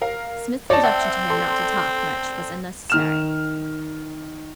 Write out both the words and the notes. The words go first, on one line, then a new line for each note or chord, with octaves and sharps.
Psmith's injunction to him not to talk much was unnecessary.
A#4 F5
D#4 C#5 D5 A5
C4 E5 F#5 G5
A4 C6
D#3 F6 E7